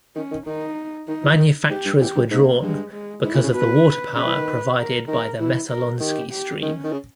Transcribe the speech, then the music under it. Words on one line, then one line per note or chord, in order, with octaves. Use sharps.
Manufacturers were drawn because of the water power provided by the Messalonskee Stream.
D#3 C#4
D#3
D#3 D#4
D#3 D#4
E3
D#3
G#2 G4
G2
E2 G4
G2
G#2 A#3
G2 G#3
G#3
G#2 E4
A#2
C#3
B2 B4
C#3 B4
E3
D#3
A#4
D#3 A#4
E3 E4
A#4
D#3 G4
G4
D#3 C#4
D#3
C#3